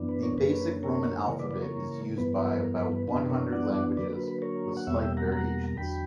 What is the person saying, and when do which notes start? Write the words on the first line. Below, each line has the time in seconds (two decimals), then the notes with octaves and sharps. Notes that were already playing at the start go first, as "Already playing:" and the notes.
The basic Roman alphabet is used by about one hundred languages, with slight variations.
Already playing: F#2 E3 B3 D4
0.09 B4
0.23 A#4 C#5
0.38 F#2 D3 A#3 C#4 B4
0.83 A#4 C#5
1.28 C#3 E3 A#3 A#4 C#5
1.39 B4 D5
1.51 B4 D5
1.62 A#4 C#5
2.18 G2 E3 B3 B4
2.33 B4
2.48 B4
2.62 A#4
2.77 B4
2.92 B4
3.08 F#2 E3 B3 D4 B4
3.26 B4
3.30 A#4 C#5
3.52 D5 F#5
3.97 D3 F#3 A#3 B4 D5
4.13 B4
4.28 B4
4.42 A#4 C#5
4.77 F#5
4.87 E2 B2 G3 A#3 C#5 E5
5.02 E5 G5
5.17 F#5 A#5
5.32 F#5 A#5
5.66 A#5
5.77 E2 D3 F#3 G5 B5